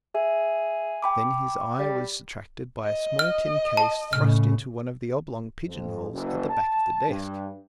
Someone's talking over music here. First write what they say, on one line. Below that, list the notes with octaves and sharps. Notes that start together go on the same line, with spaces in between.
Then his eye was attracted by a small tin case thrust into one of the oblong pigeon holes at the back of the desk.
G#4 E5
G5 B5 D6
G3
D#5
F6
A5
A2 C#3 F6
F2
F#1
A5
G2